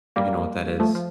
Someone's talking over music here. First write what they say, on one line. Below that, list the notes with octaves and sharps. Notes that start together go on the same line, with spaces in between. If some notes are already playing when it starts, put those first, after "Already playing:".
if you know what that is.
G3 A#3
F3 A3
F3